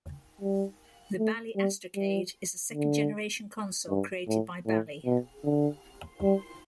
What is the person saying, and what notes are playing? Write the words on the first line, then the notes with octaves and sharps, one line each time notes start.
The Bally Astrocade is a second generation console created by Bally.
G3
A3
G3
G3
D3
G2
A2
A2
B2
D3
G3